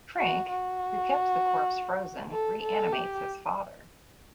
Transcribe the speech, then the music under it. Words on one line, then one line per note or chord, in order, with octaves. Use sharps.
Frink, who kept the corpse frozen, reanimates his father.
F#4
F#4
A4
A4
G4